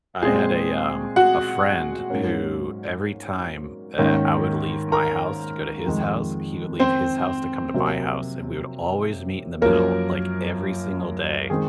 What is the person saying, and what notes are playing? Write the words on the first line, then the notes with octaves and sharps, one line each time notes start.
I had a, um, a friend who every time that I would leave my house to go to his house, he would leave his house to come to my house, and we would always meet in the middle, like, every single day.
A#2 G#3 C4 G#4
F#4 F#5
G#2 F#3 A#3 C#4
G#2 D#3 A#3 C#4
A#4 A#5
F2 D#3 G#3
C4 C5
C3 F#3 A#3
F#2 F3 A#3 C#4 A#4
D#3 G#3 C4 G#4